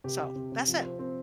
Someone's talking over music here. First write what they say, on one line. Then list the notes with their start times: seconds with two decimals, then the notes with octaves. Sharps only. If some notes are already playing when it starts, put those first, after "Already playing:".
So, that's it.
0.04 C3 G4
0.20 C3
0.36 C3
0.52 C3
0.68 F3
0.84 C4
0.99 C4